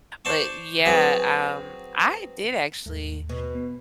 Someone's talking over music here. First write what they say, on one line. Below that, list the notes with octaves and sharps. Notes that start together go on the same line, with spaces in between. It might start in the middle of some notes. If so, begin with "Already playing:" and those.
But, yeah, um, I did actually
C5 D5 A5 C6 C#6
F#3 C4 G#4 B4 C#5
D#2 G#2 A3
B2
B3